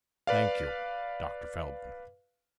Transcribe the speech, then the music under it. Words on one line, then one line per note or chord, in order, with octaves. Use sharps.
"Thank you, Dr. Feldman."
B4 D5 F5